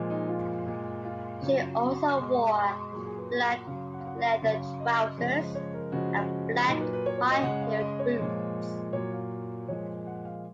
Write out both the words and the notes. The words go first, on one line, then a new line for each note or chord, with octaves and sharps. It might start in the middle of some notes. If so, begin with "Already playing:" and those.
She also wore black leather trousers and black high-heeled boots.
Already playing: A#2 F3 G#3
D#4
F4
A#2 G#3
F4
C#3 F#3
F#4
B2 G#3
A#2 F#3 G#4
G#4
B4
G#4
F#5
C#3 F#3 F5
F#5
F5
F#5
C#3 F#3 F5
F5
D#5
C#3 F3 G#3
C#5
A#4
C#3 F3 G#3 F#4
A#2 F#3 D#4
B4
B4
C#5
C#5
D#5
C#3 G#3 F#5
F5
D#5
C#5
A#2 F3 G#3
A#2 F#3 C#5
F5
A#2 F3 G#3 C#5
F#5
F5